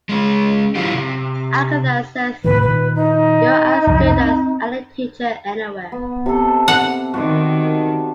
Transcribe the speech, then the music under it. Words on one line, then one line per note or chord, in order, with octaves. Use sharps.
Agatha says you’re as good as any teacher anywhere.
G#3 C#4
F#3 E4 F4 G4
C3
A2 C3 D#3 B4
A#2 D#3 B4
D#4
C2 F#2 F3
C4
B3
C3 A4
F#5
D#3 F#4 D5 C6